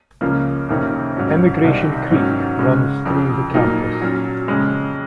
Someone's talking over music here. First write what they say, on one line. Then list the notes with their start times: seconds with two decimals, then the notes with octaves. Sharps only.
Emigration Creek runs through the campus.
0.21 C#2 C#3 F3 A#3 C#4
0.69 F2 C3 D#3 A#3 C#4
1.17 G#2 F#3 C#4
1.64 C2 C3 D#3
2.11 G#2 D#3 F#3 C#4
2.59 C#2 C#3 G#3 C#4
3.05 F2 C#3 F3
3.54 A#2 F#3 A#3 D#4
4.01 A#2 F#3 C#4
4.48 F2 C#3 G#3 C#4